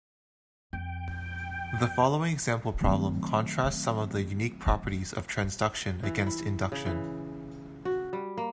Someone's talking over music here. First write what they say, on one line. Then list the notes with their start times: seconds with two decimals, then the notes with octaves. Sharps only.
The following example problem contrasts some of the unique properties of transduction against induction.
0.73 F2 G5
2.81 D#3 F#3 A3 C4
6.03 E3
6.26 E4
6.72 C#3
6.86 E3
7.85 F#4
8.13 G3
8.38 A#3